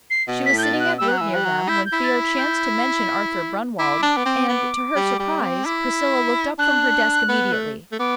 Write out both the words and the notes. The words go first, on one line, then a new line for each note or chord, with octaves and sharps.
She was sitting at work near them, when Theo chanced to mention Arthur Brunwalde, and, to her surprise, Priscilla looked up from her desk immediately.
C7
B2
B6
A2
G6
A6
B2
F#6
G3 E6
F#3 F#6
E3 E6
G3 F#6
F#3
E4 G6
G6
E4
A6
B6
G6
E4 D6
D4
B3
C4
B3
G3
G3
C4
E4
D4 F#6
B3
A3
A3
B3 D6